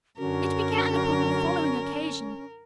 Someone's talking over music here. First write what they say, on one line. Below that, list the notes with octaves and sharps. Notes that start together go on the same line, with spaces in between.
It began upon the following occasion.
F#2 D3 C#4 F#4 A#4